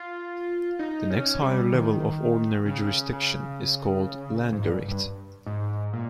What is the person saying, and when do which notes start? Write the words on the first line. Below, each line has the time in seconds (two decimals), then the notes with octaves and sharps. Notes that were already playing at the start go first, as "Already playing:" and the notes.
The next higher level of ordinary jurisdiction is called Landgericht.
Already playing: F4
0.79 D#4
1.10 C#4
1.41 G3
1.73 D#3
2.66 C#3
3.13 C#3
4.52 G#2
4.64 G2
4.88 G2
5.46 G#2
5.93 A#2